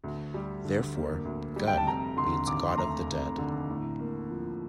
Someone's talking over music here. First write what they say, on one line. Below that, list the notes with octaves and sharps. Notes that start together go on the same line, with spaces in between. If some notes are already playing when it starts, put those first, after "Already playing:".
Therefore, Gunn means "God of the Dead".
D2
G3
D3
A#3
D2
G3
G5
A5
F1 A#5
D3 C6
D#2 D6
C6
A3 A#5
F1
D3
A2
A#3
F3